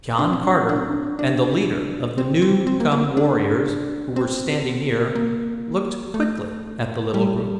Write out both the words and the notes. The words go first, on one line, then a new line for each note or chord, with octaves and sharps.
John Carter and the leader of the new come warriors, who were standing near, looked quickly at the little group.
D4
C4
D4
C4
D4
C4
D4
D4
C4
C4
C4
A#3
A#3
D4
C4
A#3
A3
G3